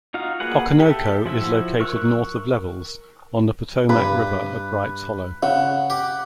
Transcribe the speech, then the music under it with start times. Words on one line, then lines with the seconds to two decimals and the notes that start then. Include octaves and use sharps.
Okonoko is located north of Levels on the Potomac River at Bright's Hollow.
0.14 D#4 F4 F#4 F5
0.40 A#3 F#4 G#4 B4 F#5
0.80 G4 A4 E5
1.26 F3 E4 F#4 E5 E6
1.80 A#4 C#6 E6 F#6
3.89 G2 B4
5.43 C#3 F#5
5.90 G4